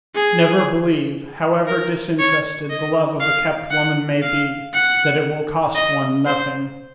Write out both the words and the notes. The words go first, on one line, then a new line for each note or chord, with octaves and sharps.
Never believe, however disinterested the love of a kept woman may be, that it will cost one nothing.
G#4
A#4
C#5
D#5
F5
F#5
F5
F#5
D#5
C5